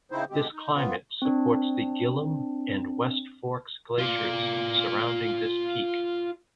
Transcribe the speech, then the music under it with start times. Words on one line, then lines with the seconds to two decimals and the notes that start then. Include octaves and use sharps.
This climate supports the Gillam and West Fork Glaciers surrounding this peak.
0.11 C#3 E3 C4 D#4 E4 C5
0.30 B2 D3 G#3 C4 G4
0.53 D#4
0.73 E3 B3 F4
1.22 C4 D4
3.98 F4 D5